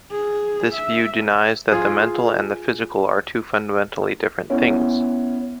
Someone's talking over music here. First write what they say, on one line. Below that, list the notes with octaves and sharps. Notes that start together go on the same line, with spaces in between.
This view denies that the mental and the physical are two fundamentally different things.
G#4
E5
F4 G#4
B3 C#4 E4